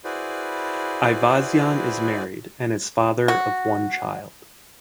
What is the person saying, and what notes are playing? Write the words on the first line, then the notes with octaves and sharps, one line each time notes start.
Ayvazyan is married and is father of one child.
E4 F#4 G#4 B4 C5 D5
F#4